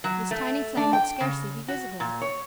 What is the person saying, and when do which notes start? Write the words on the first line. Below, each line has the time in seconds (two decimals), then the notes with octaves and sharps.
This tiny flame would scarcely be visible.
0.04 F#3
0.31 A3
0.77 D4
0.93 G5
1.20 C#3
1.68 F#4
2.00 A#2
2.21 C#5